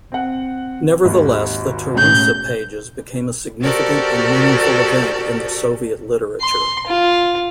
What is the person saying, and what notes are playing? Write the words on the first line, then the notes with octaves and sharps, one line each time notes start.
Nevertheless, the "Tarusa Pages" became a significant and meaningful event in the Soviet literature.
C4 F#5
G#1 D#2
E1 A2 C#4 G6
F#4 G4 A4 A#4 C5 D5
C6
F4